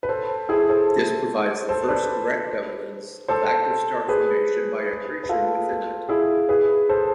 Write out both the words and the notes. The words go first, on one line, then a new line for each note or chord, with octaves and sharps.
This provides the first direct evidence of active star formation by accretion within it.
B4
A4 C5
E4 G#4
A4 C5
A4 C5
B4 D5
A4 C5
G#4 B4
B4
F4 A4
E4 G#4
G#4 B4
A4 C5